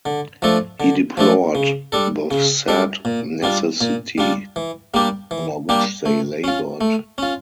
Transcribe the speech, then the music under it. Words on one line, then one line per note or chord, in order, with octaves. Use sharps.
He deplored the sad necessity under which they labored.
D3
F3 A3 D4 A4
D3
F3 A3 D4 A4
C#3
G3 D4 A4
C#3
G3 D4 A4
A#2
G3 D4 F4
A#2
G3 D4 F4
E3
G3 A#3 D4 G4
E3
G3 A#3 D4 G4
A3
C#4 F4
A3
C#4 F4